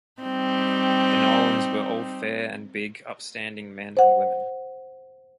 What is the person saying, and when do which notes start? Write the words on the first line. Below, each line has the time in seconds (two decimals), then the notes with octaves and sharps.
The Nolans were all fair and big, upstanding men and women.
0.22 G3 C4 D#4
3.97 C5 F#5